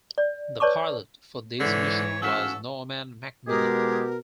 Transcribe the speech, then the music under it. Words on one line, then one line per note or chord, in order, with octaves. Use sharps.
The pilot for this mission was Norman Macmillan.
D5
B4 C#5 D5 A5 C#6 D6
G#2 D3 E3 C#5
C#4 F#4 A4 E5 F5
B2 G#3 G4 G#4 A#4